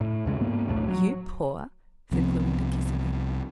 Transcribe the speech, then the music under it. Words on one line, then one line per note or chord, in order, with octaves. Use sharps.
"You poor!" said Clorinda, kissing her.
A2
E2 C#3 G#3
G#2 A#3 B3
B1 E2 A2 A3
F#3
C2 F3 B3 C4